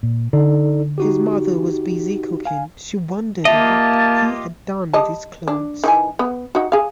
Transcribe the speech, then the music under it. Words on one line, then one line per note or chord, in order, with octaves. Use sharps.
His mother was busy cooking; she wondered what he had done with his clothes.
A#2
D3 D#4 A4 D5
D#4 F#4 G4
F5 G#5
A#3 F4 G4 D#5 E5 A5
G3 D#5 A5
D4
D#3 E3 G#5
B3
D#4 F#4
G#4 F5